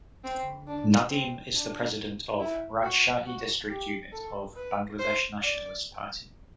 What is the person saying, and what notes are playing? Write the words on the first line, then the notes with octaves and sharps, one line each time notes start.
Nadim is the President of Rajshahi District unit of Bangladesh Nationalist Party.
C4
D4
C4
D4
E4
F#4
F#4
G4
A4
B4
C5
D5